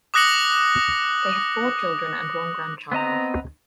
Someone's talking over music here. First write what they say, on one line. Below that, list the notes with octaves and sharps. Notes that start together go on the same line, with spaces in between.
They have four children and one grandchild.
D6 D#6 F#6 A#6 C#7 F#7
B3 C4 D#5 A#5